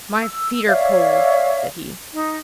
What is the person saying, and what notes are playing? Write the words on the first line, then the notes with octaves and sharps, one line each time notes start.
"My feet are cold!" said he.
E6
C#5 D5 E5 F5
D#4